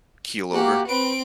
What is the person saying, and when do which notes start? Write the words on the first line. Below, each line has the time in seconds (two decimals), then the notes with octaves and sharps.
keel over?
0.53 A#3 F#4 G4
0.87 C4 B4 D7